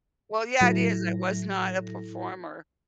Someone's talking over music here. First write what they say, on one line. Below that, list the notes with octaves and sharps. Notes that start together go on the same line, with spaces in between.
Well, yeah, it is, I was not a performer.
A2 F#3 E4 A4 A#6